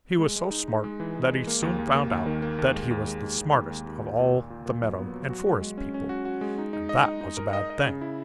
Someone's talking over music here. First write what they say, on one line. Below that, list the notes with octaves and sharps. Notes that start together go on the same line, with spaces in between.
He was so smart that he soon found out that he was the smartest of all the meadow and forest people, and that was a bad thing.
G#3
G#3
D#4
D#4
G#3
E3
G#3
G#3
A#3
D#2
D#2
A#3
D#2
D#3
A#3
D#2
G#3
D#2
G#3
D#2
D#2
D#2
D#2
D#2
A#2
A#2
A#2
A#2
A#2
F#3
B3
F#3
F#4
G#3
G#3
C#4
C#4
F#4
F#4
G#3
D#4
D#4
D#5
D#4
D#4
A#4
D#5
D#5
C#3
E4